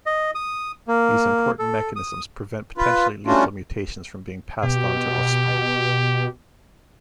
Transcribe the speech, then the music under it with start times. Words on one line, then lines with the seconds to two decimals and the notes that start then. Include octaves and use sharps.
These important mechanisms prevent potentially lethal mutations from being passed on to offspring.
0.06 D#5
0.35 D#6
0.88 A#3
1.59 A4
1.96 D#6
2.78 F4 B4
3.27 G3 A3 C#4 D4 F4 F#4
4.63 B2 G4